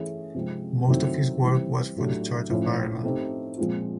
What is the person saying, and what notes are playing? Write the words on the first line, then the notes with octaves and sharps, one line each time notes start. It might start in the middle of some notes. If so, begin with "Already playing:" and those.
Most of his work was for the Church of Ireland.
Already playing: E3 A3 C#4 E4 G#4
C3 F3 G#3 C4
D#3 F#3 A3 C4 E4
E3 G3 C4
A2 F#3 A3 D4 G4
A2 F3 A3 C#4
A3 C4 D#4 G4
A#2 F3 G#3 C4 F4